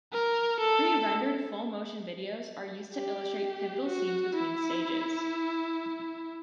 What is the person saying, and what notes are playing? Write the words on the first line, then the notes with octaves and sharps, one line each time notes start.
Pre-rendered full motion videos are used to illustrate pivotal scenes between stages.
A#4
A4
G4
F#4
E4